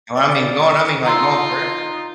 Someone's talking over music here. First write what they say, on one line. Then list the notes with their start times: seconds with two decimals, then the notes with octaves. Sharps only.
And I mean, gone I mean, like, gone forever.
0.15 D5
1.06 D#4 F4 A#5 C6 E6